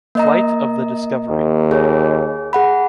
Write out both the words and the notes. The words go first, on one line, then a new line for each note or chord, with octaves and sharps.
Flight of the Discovery.
A#3 D#5 A#5
D#2
G#4 C#5
G#4 F#5 B5